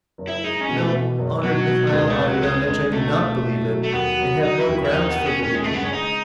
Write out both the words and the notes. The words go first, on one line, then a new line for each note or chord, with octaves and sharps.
"No, honoured Mihail Averyanitch; I do not believe it, and have no grounds for believing it."
F#1
E4
G#3 D#4
C#4
B2
A3
B2
F#1
B2 F#3
B2
A3
C#2 G#3
A3
C#2
F#3
C#2 G#3
C#2
B2 A3
B2
B2
F#3
A3
D#2 B3
F#3
F#3 D#4
E4
D#2
E4
D#2 D#4
B3
D#2
C#4
D#2 C#4
G#3
C#3 A3
B3
C#4
G#2 D#4